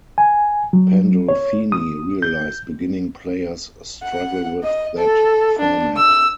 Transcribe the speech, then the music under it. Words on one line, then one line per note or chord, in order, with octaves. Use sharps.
Pandolfini realized beginning players struggle with that format.
G#5
F#3
C#5
D#6
G6
F#5
D#5
A4
D4
E6